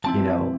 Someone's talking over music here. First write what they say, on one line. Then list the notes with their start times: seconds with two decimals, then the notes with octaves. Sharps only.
you know,
0.04 F3 C4 E4 A5